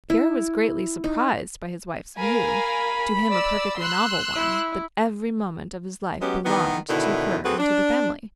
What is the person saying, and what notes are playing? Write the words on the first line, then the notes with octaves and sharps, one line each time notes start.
Pierre was greatly surprised by his wife's view, to him a perfectly novel one, that every moment of his life belonged to her and to the family.
E4
D#4
A#4 F5 G#5 B5
D5 E6
C6 E6 F#6
E4
F#3 G#3 B3 C#4 G4
D#3 E3 B3
B2 D3 D#3 E4
C4 F#4 G#4 A4 B4
D4